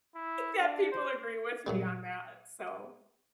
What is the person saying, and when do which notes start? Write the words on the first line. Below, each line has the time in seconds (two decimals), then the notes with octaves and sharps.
that people agree with me on that, so
0.15 E4
0.60 D4
0.91 C5
1.67 F#2 A#2 G3